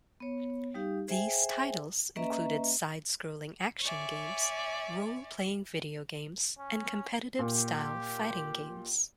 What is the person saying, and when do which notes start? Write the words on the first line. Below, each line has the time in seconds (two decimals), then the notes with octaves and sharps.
These titles included side-scrolling action games, role-playing video games and competitive-style fighting games.
0.20 B3 C#5
0.74 G3 D#4 G4 F5
1.08 G#4 C5 E5 G5 G#5
2.16 A#3 C#4 B4 D#5 E5 A#5
3.81 C#5 D5 E5 G#5
6.59 C#4
7.39 A#2 G4